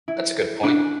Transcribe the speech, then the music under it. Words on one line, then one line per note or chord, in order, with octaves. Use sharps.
That's a good point.
E4
D4